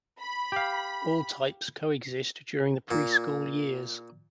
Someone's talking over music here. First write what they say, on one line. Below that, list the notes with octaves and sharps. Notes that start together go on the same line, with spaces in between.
All types coexist during the preschool years.
B5
G4 F5
A#2